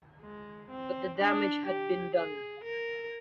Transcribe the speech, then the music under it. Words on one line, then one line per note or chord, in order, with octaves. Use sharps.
But the damage had been done.
G#3
C4
D4
G4
G#4
A#4